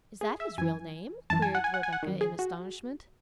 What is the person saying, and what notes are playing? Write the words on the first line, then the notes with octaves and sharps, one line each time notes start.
"Is that his real name?" queried Rebecca in astonishment.
G#4
E5
F#2 E3 G#5
F#2 E3 A5
G#5
F#5
G#5
F#5
G#5
F#5
F#2 D#3
G#4
F#4